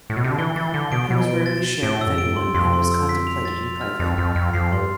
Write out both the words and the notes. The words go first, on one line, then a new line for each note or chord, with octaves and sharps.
It was rarely shared with anyone and was contemplated in private.
A2
B2
C3
D3
E3 G7
E3 A6
D3 G7
B2 D7
B2 G7
D7
A6
G7
A2 D7
E6
F2
D7
G2
C6
F2 C6
C6
E6
B6
F7
A6
F7
F6
F2 A6
F2 F6
F2 F6
F2 C7
G2 C6